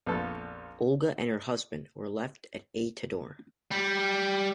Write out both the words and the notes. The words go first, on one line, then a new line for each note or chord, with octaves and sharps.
Olga and her husband were left at Ay-Todor.
A#1 F2 B3 A4
G3